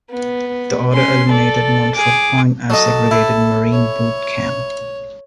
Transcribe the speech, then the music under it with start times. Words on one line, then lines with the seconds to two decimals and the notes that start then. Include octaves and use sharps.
The order eliminated Montford Point as a segregated marine boot camp.
0.11 B3
0.93 C#4 C6
1.29 A4 D5
1.94 G#4 D6
2.70 F#3 A4 D#5
3.11 E4
3.72 C#5